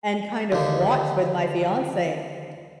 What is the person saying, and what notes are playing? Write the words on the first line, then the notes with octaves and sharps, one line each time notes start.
and kind of watch with my fiance
D#2 D3